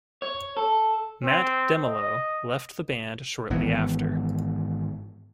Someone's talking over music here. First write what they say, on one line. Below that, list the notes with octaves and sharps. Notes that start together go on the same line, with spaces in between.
Mat Demelo left the band shortly after.
C#5
A4
C4
D#5
G#1 G#2 E3 B3